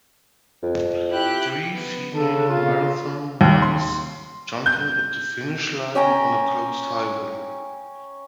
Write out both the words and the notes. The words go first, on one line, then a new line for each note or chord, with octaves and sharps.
Three female marathon runners, jumping at the finish line on a closed highway.
F2
E4 G4 F#6
B3
C#3 A4
F4
D#2
C6
G6
C#4 G5 G#5 A#5